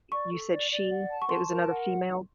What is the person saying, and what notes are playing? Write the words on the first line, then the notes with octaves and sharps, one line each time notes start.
you said she it was another female?
D5 C#6
A4
D5
D5
F#5
A5
C#6
A5 C6
A#4
F#5